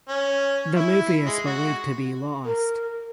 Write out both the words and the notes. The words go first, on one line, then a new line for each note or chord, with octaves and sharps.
The movie is believed to be lost.
C#4
E4
G#3
F#4
A#4